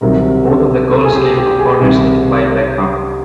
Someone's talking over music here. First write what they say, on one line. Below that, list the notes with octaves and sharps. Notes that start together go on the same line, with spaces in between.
Both of the goals came from corners taken by Beckham.
C2 C3 D#3 F#3 A#4
A4
A4
G#4
G4
G4
G#4
C2 C3 D#3